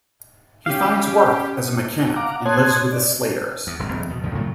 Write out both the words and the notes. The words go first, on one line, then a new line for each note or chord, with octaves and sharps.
He finds work as a mechanic and lives with the Slaters.
C#4 G4 F5
F5 F#5 A#5 D6
C#5 A5 C6 D#6 F#6 G#6
D5
E2
D#1 C2 G2
A#1 F2
E2 B2
D2 G2 C#3 F3
A2 C#3 F#3 A3